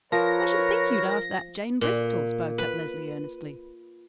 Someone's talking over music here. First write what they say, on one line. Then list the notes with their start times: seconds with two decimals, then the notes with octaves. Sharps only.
"I should think you'd ask that Jane Bristol," spoke up Leslie earnestly.
0.12 F3 A#4 B4 C#5 A#6
1.81 A#2
2.58 B4